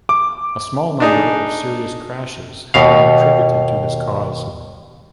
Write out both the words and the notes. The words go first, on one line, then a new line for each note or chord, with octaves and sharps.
A small number of serious crashes have been attributed to this cause.
D6
D4 D#4 G#4
D#2 B2 F5